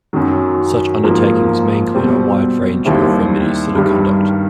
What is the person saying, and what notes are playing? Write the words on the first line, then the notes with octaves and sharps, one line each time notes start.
Such undertakings may include a wide range of remedies to the conduct.
F#2 D#3 F#3
G#2 F3 A#3
B2 G3 C4
D#2 D#3 G3 C4 E4
G2 D#3 G3